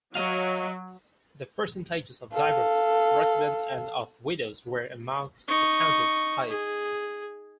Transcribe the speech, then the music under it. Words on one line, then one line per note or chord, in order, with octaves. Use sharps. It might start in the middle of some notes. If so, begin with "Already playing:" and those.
The percentages of divorced residents and of widows were among the county's highest.
F#3 D#5 F5
A4 F5
D#4 C#6
G#4